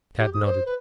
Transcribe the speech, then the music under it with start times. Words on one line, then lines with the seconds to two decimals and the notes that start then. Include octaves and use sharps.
Tad nodded.
0.19 G4
0.34 D#6
0.45 C5
0.66 B4